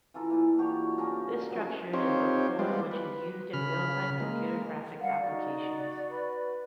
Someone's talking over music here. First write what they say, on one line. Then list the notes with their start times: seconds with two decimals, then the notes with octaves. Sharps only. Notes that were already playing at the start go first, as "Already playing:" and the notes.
This structure is the core which is used in real-time computer graphics applications.
0.14 E3 F4 A4 A#4
0.30 A#2 E3
0.58 D4 F#4 G4 C#5
0.98 C#3 C#4 D4 A#4
1.49 C#3 F3 F#3
1.93 C4 D#4 F4 G4 C5 C#5
2.59 G3 G#3 B3 F4 C5 D5
2.91 B4
3.53 C#3 B5 F6
4.20 G#3 A#3
5.00 G3 F5 F#5
5.21 D#4 F#4 D5
6.08 B4